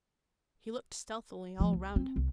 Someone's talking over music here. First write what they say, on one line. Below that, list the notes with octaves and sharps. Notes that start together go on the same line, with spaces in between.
He looked stealthily all round him.
F3 A3
C2
C4
C2